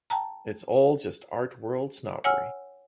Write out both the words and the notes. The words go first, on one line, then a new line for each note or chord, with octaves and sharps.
It's all just art world snobbery.
G5 A5 A#5
C#5 F#5 G#5 E6 F6